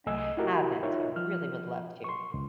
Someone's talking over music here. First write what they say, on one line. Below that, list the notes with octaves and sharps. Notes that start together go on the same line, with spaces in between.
I haven't. I really would love to.
C2 A3 D#5 G#5 E6
E4 F#4 G4 A#4
D#4 F4 A#4 C#5 E5
F3 F6
C6 C#6
C#2